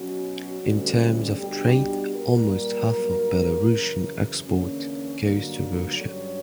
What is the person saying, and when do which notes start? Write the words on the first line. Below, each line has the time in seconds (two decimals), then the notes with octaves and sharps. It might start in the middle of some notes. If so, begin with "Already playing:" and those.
In terms of trade, almost half of Belarusian export goes to Russia.
Already playing: B2 F#3 C#4 F#4
0.62 D2 D3 G3 C#4
1.38 B2 G3 B3 D4 G4
2.15 A#2 G3 A#3 A#4
2.91 G2 F#3 A#3
3.67 F#2 C#3 E3
4.45 E2 D3 A#3 C#4
5.21 G2 D3 F#3 A#3
5.97 G2 F#3 C#4 C#5